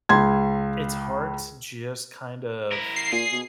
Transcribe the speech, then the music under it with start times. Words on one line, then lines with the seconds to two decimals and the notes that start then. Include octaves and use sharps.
it's hard to just kind of
0.09 C#2 C6 G#6
2.72 E4 A#4
2.96 C7
3.12 A#2 G#4
3.32 B2